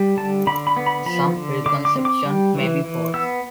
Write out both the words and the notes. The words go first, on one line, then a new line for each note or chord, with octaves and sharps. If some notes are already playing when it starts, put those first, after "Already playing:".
Some preconceptions may be false.
Already playing: G3
D3 A5
D3 B5
B5
B3
B5
F3 B5
D3
D3 D6
D6
C4
D6
G3
E3
E3
B3 E6